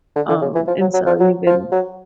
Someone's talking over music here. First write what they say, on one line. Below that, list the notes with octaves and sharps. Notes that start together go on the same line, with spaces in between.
Um, and, so, even
D3
D3
C#3
E3
F3
F#3
F#3
F3
F#3
F3
F#3